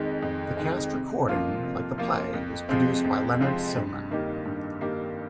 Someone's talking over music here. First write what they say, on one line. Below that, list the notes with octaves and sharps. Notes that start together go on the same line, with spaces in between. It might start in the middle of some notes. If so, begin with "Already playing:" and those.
The cast recording, like the play, was produced by Leonard Sillman.
Already playing: F2 D#3 G#3
F2
D#3 G#3
C3
F3 A#3 F4
C3
F3 A#3 F4
F2
C3 F3 G#3 C4
F2
C3 F3 G#3 C4
G2
D#3 A#3 D#4 G4
G2
D#3 A#3 D#4 G4